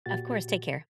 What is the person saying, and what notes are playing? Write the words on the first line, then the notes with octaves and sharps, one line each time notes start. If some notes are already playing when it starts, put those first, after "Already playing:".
Of course, take care.
A#2 F#4 G4 A6